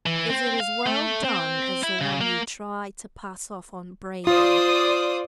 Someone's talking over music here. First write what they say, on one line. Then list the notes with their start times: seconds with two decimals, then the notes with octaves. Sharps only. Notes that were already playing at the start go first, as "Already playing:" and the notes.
"Is it as well done as the one you tried to pass off on Brady?"
0.06 E3
0.30 C4
0.60 F5
0.87 A3
1.24 C4
1.83 E4
2.01 C#3
2.21 A#3
4.27 F4 C5 D5 D#6